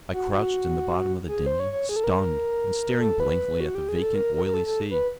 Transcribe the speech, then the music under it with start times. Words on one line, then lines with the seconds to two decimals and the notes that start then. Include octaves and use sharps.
I crouched in the bottom of the dingey, stunned, and staring blankly at the vacant, oily sea.
0.13 F#4
0.32 F#4
1.28 G#4
1.46 C5
1.60 C#5
1.72 C#5
1.89 G#4
1.96 A4
2.04 A#4
3.00 A4
3.20 B4
3.60 F#4
3.75 G4
3.89 G#4
4.02 A4
4.15 A#4
4.35 A#4
4.46 A#4
4.54 A4
4.66 A4
4.91 B4